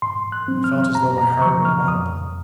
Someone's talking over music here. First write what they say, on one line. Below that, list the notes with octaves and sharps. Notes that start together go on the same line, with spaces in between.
I felt as though my heart were audible.
G#2 C6
F#6
F#3 C4
F6
F#2 A#5
A#5
C#3 F3 C#6
F6
F2 D#6